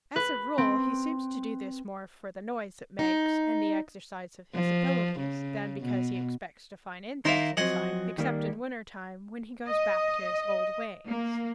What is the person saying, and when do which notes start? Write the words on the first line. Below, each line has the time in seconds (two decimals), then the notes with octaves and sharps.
As a rule he seems to do this more for the noise it makes, and the exercise of his abilities, than because he expects to find insects inside; except in winter time, when he goes back to his old ways.
0.16 B4
0.58 C4
2.99 D#4
4.55 F3
5.20 C#3
5.81 B2
7.25 D#3 A#3 D#4 E4 C6
7.57 F3 F#3 C4 D#5 F#5 G#5
8.18 D#3 G3 A#3
9.67 D#5
11.08 A#3